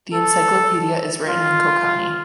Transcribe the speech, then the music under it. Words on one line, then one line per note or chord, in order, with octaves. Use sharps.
The encyclopedia is written in Konkani.
A4
F4